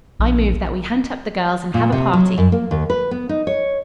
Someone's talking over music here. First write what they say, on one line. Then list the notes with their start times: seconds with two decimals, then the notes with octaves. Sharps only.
I move that we hunt up the girls and have a party.
0.19 A#1
1.74 A#2
1.92 C3
2.13 F#3
2.38 F#2
2.52 A#3
2.71 D#2
2.90 B4
3.11 B3
3.29 D#4
3.47 C#5